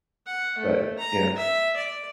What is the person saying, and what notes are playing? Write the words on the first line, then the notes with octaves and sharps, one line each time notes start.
But, yeah.
F#5
A3
A#5
E5
D5